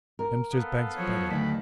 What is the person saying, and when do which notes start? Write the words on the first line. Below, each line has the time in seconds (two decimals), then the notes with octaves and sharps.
"Dempster's Bank's better."
0.19 A#4
0.54 B3 A4 F5
0.97 F3 F#3 C#5
1.30 D2 D#3 B5